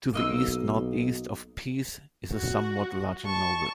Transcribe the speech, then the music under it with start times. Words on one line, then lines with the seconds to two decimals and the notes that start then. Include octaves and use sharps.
To the east-northeast of Pease is the somewhat larger Nobel.
0.13 B1 A#3 D#5 E6
2.32 F#4
3.26 A5 C#6